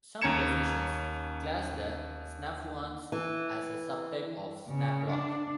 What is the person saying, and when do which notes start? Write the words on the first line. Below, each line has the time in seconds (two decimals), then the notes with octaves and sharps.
Some definitions class the snaphaunce as a sub-type of snaplock.
0.22 D#2 C#4 A#5 G#6 C#7 E7
3.12 E3
4.68 C#3
5.09 D4